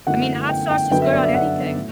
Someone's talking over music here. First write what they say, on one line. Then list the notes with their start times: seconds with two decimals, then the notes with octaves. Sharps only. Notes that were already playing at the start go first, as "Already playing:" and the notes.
I mean, hot sauce is good on anything.
0.07 G1 F#2 E3 A3 F#5
0.49 G5
0.71 G5
0.91 G1 F#2 D3 F#3 B3 G5
1.02 E5
1.13 D5
1.23 E5
1.34 F#5
1.77 A2 F#3